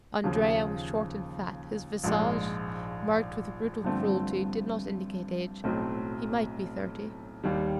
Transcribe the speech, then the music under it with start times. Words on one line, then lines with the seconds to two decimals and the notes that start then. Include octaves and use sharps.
Andrea was short and fat; his visage, marked with brutal cruelty, did not indicate age; he might be thirty.
0.24 D#2 C#3 F3
2.04 A#1 G#2 F3 G#3
3.84 G2 D3 F3 A3 C4
5.64 B1 A2 F#3 A3 C4
7.44 D#2 D#3 G3